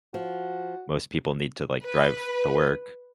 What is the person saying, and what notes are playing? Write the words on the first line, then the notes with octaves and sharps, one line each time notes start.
Most people need to, like, drive to work
F3 F#4
B4